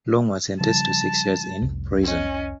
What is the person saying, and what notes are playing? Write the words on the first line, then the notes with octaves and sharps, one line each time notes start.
Long was sentenced to six years in prison.
C#3 F3 G3 A5
F1 C2
C#4 D#5